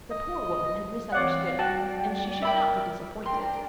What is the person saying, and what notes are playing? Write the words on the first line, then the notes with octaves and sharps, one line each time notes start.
The poor woman had misunderstood him, and she should not be disappointed.
D#5
E3 C4 C#5 D5 F5 F#5
G3 F#4 D5 F#5 G5 A5
A#4 E5 G5 B5 D6
D4 A#4 G5 C6